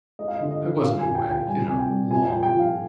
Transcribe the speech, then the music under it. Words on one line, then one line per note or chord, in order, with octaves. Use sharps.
"I wasn't away, you know, long."
G#3 D#5
F5
D3 D#5
D#5
D3
A#2 F5
G#5
A#2
G5
A#2
G5
G3 G#5
C3 G#5
G5
G3
A#2 G#5
G5
A#2
G5
F3
F5